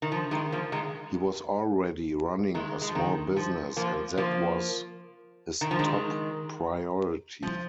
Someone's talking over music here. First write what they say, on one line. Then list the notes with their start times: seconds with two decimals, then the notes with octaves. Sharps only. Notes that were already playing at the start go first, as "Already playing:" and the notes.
He was already running a small business and that was his top priority.
0.02 D#3
0.12 F3
0.31 D#3 G#3
0.52 F3 A#3
0.72 D#3 G#3
2.54 D#3 G#3
2.82 G#3
2.89 F3
2.95 D#3
3.36 F3
3.76 F3 A#3
4.17 F3 A#3
5.61 D#3
5.71 F3
5.79 D#3 G#3
7.43 F3